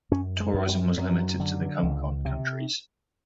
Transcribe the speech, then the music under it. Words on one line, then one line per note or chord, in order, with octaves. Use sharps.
Tourism was limited to the Comecon countries.
F#2 C#4
G#3
F#2
G3
F#2 F#3
D3
C#2
C3